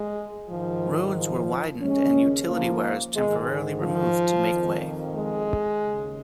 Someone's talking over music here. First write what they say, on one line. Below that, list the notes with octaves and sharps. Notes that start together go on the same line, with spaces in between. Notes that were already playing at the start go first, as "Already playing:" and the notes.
Roads were widened and utility wires temporarily removed to make way.
Already playing: G#3
G#2 D#3 F3
F3
D#2 C#3 G#3 C#4
F3 A#3
G#2 D#3 G#3
F3
F2 D#3
G#3
D#2 C#3